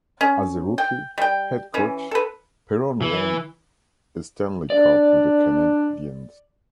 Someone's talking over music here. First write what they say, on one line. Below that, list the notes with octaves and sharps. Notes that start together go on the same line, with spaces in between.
As a rookie, head coach, Perron won a Stanley Cup with the Canadiens.
C#4
G5
G3 G5
E3 C#4
A4 B4
E3
D4 D5